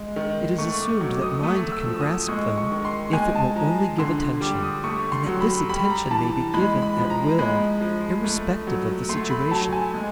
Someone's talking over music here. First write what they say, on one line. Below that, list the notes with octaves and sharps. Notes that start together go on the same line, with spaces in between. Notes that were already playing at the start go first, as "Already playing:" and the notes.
It is assumed that "mind" can grasp them if it will only give attention, and that this attention may be given at will irrespective of the situation.
Already playing: G#3
D#3
A3 C#6
D6
F#3 D6
D#6
A3 E6
E6
F3
D#6
G#3 C#6
C#6
D#3
C6
G#3 G#5
A5
F3 A#5
D3 C6
G3 D6
D#6
A3 C#6
C6
F#3
B5
G3 B5
A#5
E3 A5
G#3 B5
B5
F3
A#5
G#3 B5
F3
A3
F#3
A3 C6
B5
F#3 A5
G#5
G#3